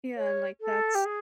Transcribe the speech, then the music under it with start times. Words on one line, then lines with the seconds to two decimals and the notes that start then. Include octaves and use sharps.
Yeah, and like that's
0.17 C#5
0.61 A4
0.95 G4
1.05 G#4